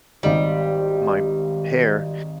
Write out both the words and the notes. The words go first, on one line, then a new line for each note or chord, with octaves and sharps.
my hair,
G#1 G3 D#4